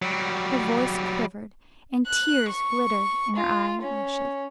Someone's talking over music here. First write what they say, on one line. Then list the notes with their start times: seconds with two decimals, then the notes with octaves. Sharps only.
Her voice quivered, and tears glittered on her eyelashes.
0.02 F#3 G3
2.07 F#6
2.49 C#6
3.36 F4
3.82 C#4